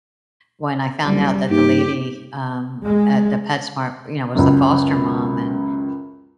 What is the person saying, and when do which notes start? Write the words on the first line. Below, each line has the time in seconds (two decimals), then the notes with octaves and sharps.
when I found out that the lady, um, at the PetSmart, you know, was the foster mom and
1.04 F#1 G3
1.49 G2 A#3 D#4 G4
2.84 G#3
4.35 C#2 F#2